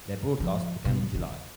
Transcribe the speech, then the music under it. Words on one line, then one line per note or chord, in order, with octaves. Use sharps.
Their broadcast began in July.
F3
B2
A#2
D3